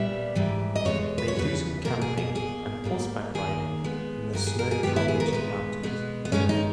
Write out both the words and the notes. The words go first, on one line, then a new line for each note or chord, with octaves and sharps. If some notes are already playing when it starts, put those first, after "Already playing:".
They do some camping and horseback riding in the snow covered mountains.
Already playing: A#2 G3 B3 E5
G#2 E3 G3
D#5
E2 B2 G#3 B3 C#5
B4
C#5
E2 C#3 G3 B3 B4
B2 A#3 A#4
G#4
G#4
B2 A#3 G#4
G#2 G3 A#3
D#2 D#3 A#3 G#4
A#2 G#3 B3
G2 G3 B3 A#4
G#4
A#4
G#4
G2 D#3 G#3 B3 G4
E4
G#4
A#4
C#5
A#2 G#3 B3 B4
B2 G#3 B3
B3
G2 D#3 G#3 C#4
D#4